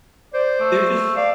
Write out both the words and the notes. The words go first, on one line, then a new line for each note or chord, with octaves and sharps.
They're just
C5 D5
A3
D5 F5